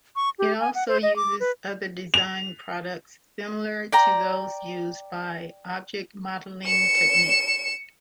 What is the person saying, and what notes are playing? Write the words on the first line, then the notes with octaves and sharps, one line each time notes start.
It also uses other design products similar to those used by Object-modeling technique.
C#6
G4
G#5
F#5
C5
D#5
D6
B4
F7
D5 G5 A#5
C#7 E7